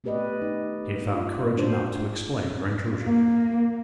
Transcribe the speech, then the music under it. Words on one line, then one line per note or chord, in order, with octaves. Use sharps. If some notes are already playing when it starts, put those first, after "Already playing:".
She had found courage enough to explain her intrusion.
A3 B3 G4 B4 D5 D#5
D#4
F4
A3 D4 F4 F#4 C5
A#3